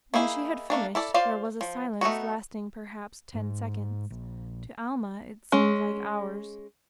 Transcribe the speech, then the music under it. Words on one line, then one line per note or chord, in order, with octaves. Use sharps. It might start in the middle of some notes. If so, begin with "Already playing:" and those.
When she had finished there was a silence lasting perhaps ten seconds. To Alma it seemed like hours.
A#3 D#4 E4 G#4
A3 A#3 D4
E4 A4 D5
F4 C5 D5 F5
F3
A3 B3 D#4 F#4
G#2
A#1
G#3 C#4